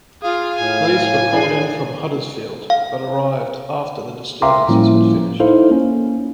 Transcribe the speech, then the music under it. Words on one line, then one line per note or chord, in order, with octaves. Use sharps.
Police were called in from Huddersfield but arrived after the disturbances had finished.
F4 G#4 F5
A2 G#5
D4 G#4 C7
F5
E5 F5 G5 A#5 C6 D6
A2 F3 G3 A#3 C#4 E4
D#4 E4 A4 C5 F5
A#3 C#4